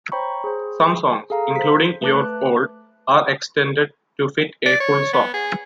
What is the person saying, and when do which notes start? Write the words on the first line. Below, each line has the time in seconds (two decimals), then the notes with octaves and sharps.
Some songs, including "You're Old," are extended to fit a full song.
0.12 C5 C#5 G5 A#5 B5 C#6
0.44 G#4 C5
1.30 G#4 A4 F5 A#5
1.56 C5 B6
2.02 A3 B4 A5 D6 F#6
4.66 D5
4.80 C#5
5.13 B3
5.34 G#4